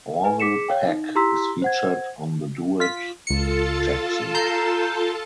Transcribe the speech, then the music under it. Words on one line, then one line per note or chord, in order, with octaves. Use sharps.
Orville Peck is featured on the duet "Jackson".
B4 G#5
G#4 D6 B6 C#7 E7
C#5 F5 G5
D#4
E4 G4 A#5 C6 E6 B6
C5 F#5 G#6
F4 B6
C#2 F4 A4 A5 C#7
A#5 G6 C7